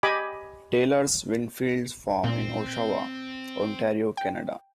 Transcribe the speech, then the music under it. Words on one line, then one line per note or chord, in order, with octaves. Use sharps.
Taylor's Windfields Farm in Oshawa, Ontario, Canada.
G4 D#5 G#5 B5 D6
A#2 C4
G5